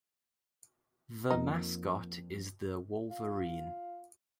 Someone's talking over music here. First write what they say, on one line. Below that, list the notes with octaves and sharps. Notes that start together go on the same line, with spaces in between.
The mascot is the Wolverine.
F2 A#3 D#4
F4